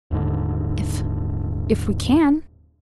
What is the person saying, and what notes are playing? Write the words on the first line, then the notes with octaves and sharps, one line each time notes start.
"If--if we can."
D#1 D#2 G#2 D3